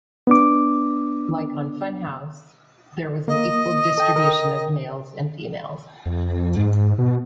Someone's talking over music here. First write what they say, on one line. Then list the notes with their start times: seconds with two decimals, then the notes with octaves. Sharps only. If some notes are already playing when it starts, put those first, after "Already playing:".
Like on "Fun House", there was an equal distribution of males and females.
0.27 B3 D4 D6
3.28 A#3 D#5
3.98 A4 G5 A5
4.16 A#4 G5
6.06 F2
6.57 G#2
6.98 B2